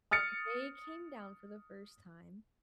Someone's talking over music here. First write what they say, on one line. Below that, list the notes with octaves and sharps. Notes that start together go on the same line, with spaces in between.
they came down for the first time
D#6 F6 A6 C#7